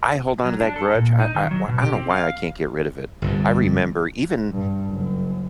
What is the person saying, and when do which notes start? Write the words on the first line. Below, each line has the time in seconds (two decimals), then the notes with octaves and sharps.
I hold on to that grudge. I I wha don't know why I can't get rid of it. I remember even
0.45 F#3
0.60 D4
0.76 A4
0.94 A#2
1.20 D#4
1.35 D#3
1.51 F#3
1.68 B2
1.82 G4
1.95 C4
2.10 F5
3.22 G1 C2 G2
4.52 G2
4.90 F#1 F#2